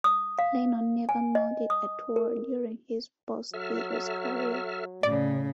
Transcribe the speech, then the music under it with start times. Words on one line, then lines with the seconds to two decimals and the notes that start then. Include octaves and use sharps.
Lennon never mounted a tour during his post-Beatles career.
0.04 D#6
0.39 F5
1.09 G#5
1.35 D#5
1.70 D#6
2.16 A#4
3.54 F#3 A4 E5 F6
5.03 A2 C#3 D5